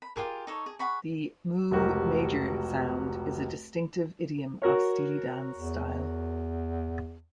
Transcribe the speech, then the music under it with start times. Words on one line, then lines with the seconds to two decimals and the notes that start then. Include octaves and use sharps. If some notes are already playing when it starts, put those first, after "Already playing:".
The "mu major sound" is a distinctive idiom of Steely Dan's style.
0.02 B5
0.16 F4 G4 G#4 A#4
0.47 D#4 A4 C#5
0.66 G#4
0.79 G#4 F#5 B5 C#6
1.71 F1 C#2 F#4 G4 A#4
4.62 F#4 A#4 C#5
5.58 E2